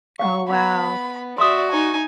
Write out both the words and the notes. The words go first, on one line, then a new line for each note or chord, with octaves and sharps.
Oh, wow.
F5 F#5 C#6
B3 B5
F#4 D5 E5 C6 D#6
D#4 G#5